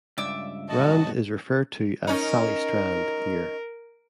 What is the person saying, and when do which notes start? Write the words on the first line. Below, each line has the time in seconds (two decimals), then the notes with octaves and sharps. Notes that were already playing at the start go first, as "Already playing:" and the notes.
Rand is referred to as "Sally Strand" here.
0.18 C#2 G2 D5 E5 E6
0.69 E2 A2 F#4 D#5 A5
2.07 C#4 D#4 A#4